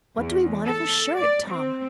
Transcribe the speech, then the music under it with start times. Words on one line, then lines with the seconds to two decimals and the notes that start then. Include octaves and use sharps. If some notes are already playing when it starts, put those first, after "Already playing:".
"What do we want of a shirt, Tom?"
0.16 E2
0.66 A4
1.17 D5
1.48 C4